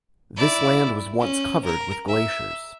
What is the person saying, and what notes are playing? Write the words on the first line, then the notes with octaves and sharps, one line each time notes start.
This land was once covered with glaciers.
E4 D5
C#4
A#4
E5